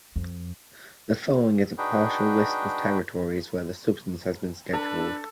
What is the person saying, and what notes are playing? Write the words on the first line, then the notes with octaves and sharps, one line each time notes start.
The following is a partial list of territories where the substance has been scheduled.
F2
D4 D#4 F#4 G#4 B4 G5
D4 A4 B4